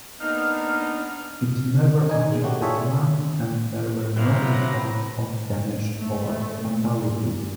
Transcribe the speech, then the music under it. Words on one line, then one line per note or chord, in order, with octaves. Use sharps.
It never affected land, and there were no reports of damage or fatalities.
A#3 B3 D4 D#4 F6
D#4 G#5
D#3 G#3
A3 C#4 F#4 G4
D4 F4 G#4 A4 C#5 E5
C3 F#3 E4 B4 C5 F5 A#5
A3
A#2
G2